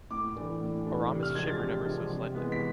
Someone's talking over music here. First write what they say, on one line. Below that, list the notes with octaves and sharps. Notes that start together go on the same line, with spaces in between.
Aramis shivered ever so slightly.
A2 D6
E3 A3 D4
A2
E3 A3 D4
C3
F6
F3 G#3 D4 G#6
A6
C3
F3 G#3 D4
C3
E3 G#3 B3
B6